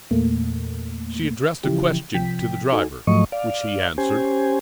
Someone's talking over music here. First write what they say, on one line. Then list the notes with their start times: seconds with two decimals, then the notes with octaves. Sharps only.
She addressed a question to the driver, which he answered.
0.11 E2 A#2 A3 A#3
1.64 C#3 E3 F3 E4 G4
2.14 C3 F3 G5 B6
2.73 D#4 F#4 A4 G#5
3.07 G#2 F3 F#3 A3 D#5 C#6
3.32 D5 F5
3.98 C#4 G4 C5 G#5